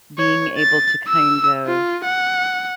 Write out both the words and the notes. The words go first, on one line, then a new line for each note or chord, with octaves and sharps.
being able to kind of,
C#5
A6
E6
F4
F#5